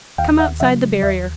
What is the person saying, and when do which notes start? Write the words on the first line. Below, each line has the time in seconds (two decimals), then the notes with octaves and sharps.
Come outside the barrier.
0.18 D#2 F5 G5
0.39 E5 F#5
0.60 C#3 F#3 E5 F#5
1.03 D#2 D5 E5